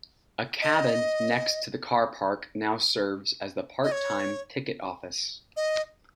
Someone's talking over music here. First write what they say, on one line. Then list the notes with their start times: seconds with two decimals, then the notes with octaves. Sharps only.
A cabin next to the car park now serves as the part-time ticket office.
0.62 D#5
3.84 D#5
3.92 C#5
5.56 D#5